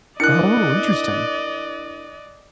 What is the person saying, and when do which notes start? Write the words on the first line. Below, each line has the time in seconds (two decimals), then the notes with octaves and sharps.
Oh, interesting.
0.20 D4 E4 A#4 D5 D#5 F#6 C#7